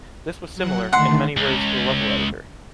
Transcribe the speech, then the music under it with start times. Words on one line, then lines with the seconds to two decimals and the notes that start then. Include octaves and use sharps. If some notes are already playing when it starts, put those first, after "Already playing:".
This was similar, in many ways to a level editor.
0.55 F#3 F#5
0.93 D3 D#3 A3 F#5 C6
1.37 C#2